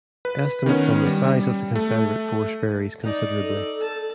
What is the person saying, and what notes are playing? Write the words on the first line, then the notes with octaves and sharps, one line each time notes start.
Estimates on the size of the Confederate force varies considerably.
B4
D#3 B3 C#4
G3
A3
D#4 D5
A4
A5